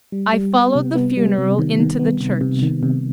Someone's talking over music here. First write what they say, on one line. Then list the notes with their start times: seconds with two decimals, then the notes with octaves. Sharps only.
I followed the funeral into the church.
0.12 G3
0.33 G3
0.55 B3
0.75 C3
0.96 B3
1.17 G3
1.38 C3
1.59 D#3
1.80 D#3
1.99 B3
2.21 C3
2.41 C3
2.62 D#3
2.83 C3